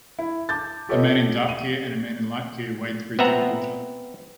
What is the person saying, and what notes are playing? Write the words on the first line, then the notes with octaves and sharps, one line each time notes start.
A man in dark gear and a man in light gear wade through deep water.
E4
A5 D6 G6 A6
F4 G4 A4 B4 C#5 D#5
D#7
B3 C4 E5 F#5 A#5